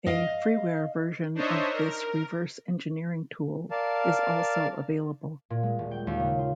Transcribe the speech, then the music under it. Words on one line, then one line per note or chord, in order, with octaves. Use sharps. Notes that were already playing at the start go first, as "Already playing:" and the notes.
A freeware version of this reverse engineering tool is also available.
D#5 F5
D4 D#4 C5 C#5 D#5 E5
A#4
A#4 D5 F5 A5
A#2
G#3
D#1
G5
D#2
C#3
F4